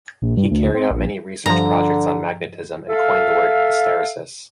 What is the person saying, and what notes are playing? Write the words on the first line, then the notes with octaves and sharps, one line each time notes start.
He carried out many research projects on magnetism and coined the word 'hysteresis'.
A#1
G2
D2
C4
A#1
G2 D3 F3 A#5
A4 E5 F5